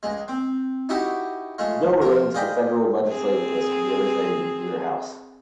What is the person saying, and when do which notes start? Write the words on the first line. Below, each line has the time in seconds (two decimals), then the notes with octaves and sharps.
The Bill relating to the Federal Legislative List can be originated in either House.
0.03 C#2 G#3
0.28 C4
0.89 D#4 E4 F#4 G4 D#5 F#5
1.58 G#3 A3 F4
2.02 F3 A#4
2.34 F4 G#4 D5 D#5 G5 B5
3.08 C4 G#4